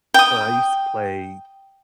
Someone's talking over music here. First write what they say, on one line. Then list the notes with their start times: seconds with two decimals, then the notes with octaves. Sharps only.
I used to play,
0.14 G5 D#6